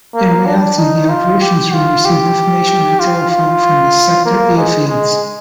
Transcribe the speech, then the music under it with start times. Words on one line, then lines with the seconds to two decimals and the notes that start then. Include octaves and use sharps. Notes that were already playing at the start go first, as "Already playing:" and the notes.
In reality, the operations room received information by telephone from the sector airfields.
0.15 A#3
0.46 D4
0.78 D#4
1.09 F4
1.41 G4
1.74 F4
2.05 G4
3.00 F4
3.30 F4
4.25 A#3
4.57 G#3
4.89 G#3